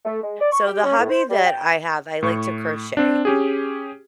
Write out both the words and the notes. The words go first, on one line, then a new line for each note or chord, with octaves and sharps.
So, the hobby that I have, I like to crochet,
A3
G#3
D5
C#6
G4
C#4
A2
C5
G3
G5
A2 C#6
C4 D4
C#4 G4 G#4